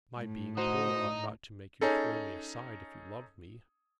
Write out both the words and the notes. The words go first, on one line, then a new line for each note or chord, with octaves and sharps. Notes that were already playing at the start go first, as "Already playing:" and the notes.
My being poor ought not to make you throw me aside if you loved me.
A2
D#4 F#4 C5 F#5 D#6
C#4 D#4 G#4 A4